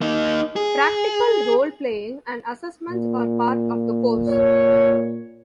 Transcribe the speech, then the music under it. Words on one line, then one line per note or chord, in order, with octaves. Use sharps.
Practical role-playing and assessments are part of the course.
A#3 D#4
G#4
A#2
C#5